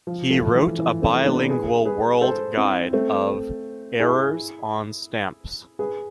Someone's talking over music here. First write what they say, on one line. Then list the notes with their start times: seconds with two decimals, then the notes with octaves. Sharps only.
He wrote a bilingual world guide of "Errors on stamps".
0.07 F3
0.30 F3 A3
0.55 E3
0.79 E3
1.02 A3 C4
1.26 B3 D4
1.50 G#4 B4
1.85 G#4 B4
2.21 A4 C5
2.57 C4 E4
2.93 A3 C4
4.00 E4 G#4
5.79 G#4 B4